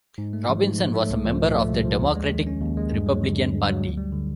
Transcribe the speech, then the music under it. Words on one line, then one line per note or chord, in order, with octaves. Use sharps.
Robinson was a member of the Democratic-Republican Party.
G#2
A3
F3
G#2
G#2
A3
C2
F3
A#2
A3
C2
F3
D#2
G#3
D#3
C#4
D#2
G#3
G2
F#3
D3
G2
G2
F#3
D2
G3
D3